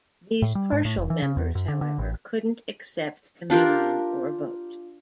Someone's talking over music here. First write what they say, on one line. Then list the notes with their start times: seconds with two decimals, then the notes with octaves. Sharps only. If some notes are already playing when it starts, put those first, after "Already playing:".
These partial members, however, couldn't accept communion or vote.
0.42 A2
0.55 G3
0.72 G#2
0.85 A2
0.97 F1
1.10 E3
1.22 C#3
1.37 E2
1.55 F#2
1.68 D3
1.81 D3
1.98 A1
3.50 D4 F4 G4 A#4